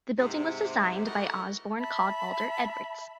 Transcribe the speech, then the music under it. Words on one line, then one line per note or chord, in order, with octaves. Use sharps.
The building was designed by Osborne Cadwallader Edwards.
G#2 C3
A3 E4 F#4 G4 A#4 D#5
E5 A5 B5